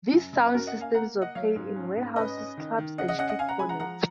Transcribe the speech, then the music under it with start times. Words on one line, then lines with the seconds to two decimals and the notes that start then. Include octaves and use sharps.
These sound systems were played in warehouses, clubs, and street corners.
0.13 F#2
0.33 F#2
0.46 B4
0.54 C#4 F#4 A#4
0.67 D#5 F#5
0.75 A#3
0.81 F5 G#5
0.94 A#3 F#5 A#5
1.15 A#3
1.22 D#5 F#5
1.35 F#3 C#5 F5
1.56 G#2
1.76 C#4
1.96 G#2
2.16 C#4 B4 D#5
2.37 C#4
2.57 D#3
2.78 D#3
2.98 C#3 D#5 F#5
3.08 D#5 F#5
3.18 C#4 D#5 F#5
3.29 D#5 F#5
3.39 C#4 F5 G#5
3.49 F#5 A#5
3.59 G#3 G#5 B5
3.69 F#5 A#5
3.80 F3 F#5 A#5